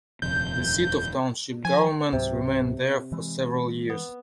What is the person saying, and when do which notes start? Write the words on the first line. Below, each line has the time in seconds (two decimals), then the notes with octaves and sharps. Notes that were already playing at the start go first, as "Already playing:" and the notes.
The seat of township government remained there for several years.
0.22 D#1 F2 C3 G6
1.65 F3 G#5
2.13 C#2 G#2 C3 F#3
3.12 E3 G#3
3.90 B3